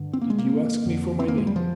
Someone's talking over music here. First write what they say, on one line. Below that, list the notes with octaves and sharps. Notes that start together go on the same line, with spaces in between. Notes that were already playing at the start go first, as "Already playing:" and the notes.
"Did you ask me for my name?"
Already playing: G2 D3
C4
A#3
G#3
A#3
F2 D3
C4
A#3
G#3
G3
F3